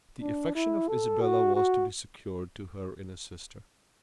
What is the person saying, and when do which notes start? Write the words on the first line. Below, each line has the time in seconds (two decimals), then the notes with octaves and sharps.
The affection of Isabella was to be secured to her in a sister.
0.21 D4
0.55 E4
0.88 A4
1.22 F#4
1.55 F#4